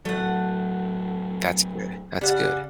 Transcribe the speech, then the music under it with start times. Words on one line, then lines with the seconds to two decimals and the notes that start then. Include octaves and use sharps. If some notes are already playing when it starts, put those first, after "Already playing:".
That's good. That's good.
0.05 A2 F#3 A3 F#5
2.21 C#3 G3 F#5